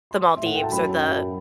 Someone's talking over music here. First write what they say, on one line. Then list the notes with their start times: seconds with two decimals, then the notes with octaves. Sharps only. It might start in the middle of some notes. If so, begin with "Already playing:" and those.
the Maldives or the,
0.11 C6
0.37 E5
0.42 A2 F#5
0.55 G5
0.63 A5
0.72 F#2 B5
0.83 A5
0.93 G5